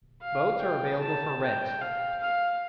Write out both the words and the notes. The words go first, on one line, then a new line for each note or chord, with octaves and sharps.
Boats are available for rent.
F5
G5
A5
G5
F5
F5